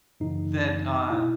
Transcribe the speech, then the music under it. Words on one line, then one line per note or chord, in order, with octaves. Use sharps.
that, uh,
F#2 C#3 E3 D#4
B2 E4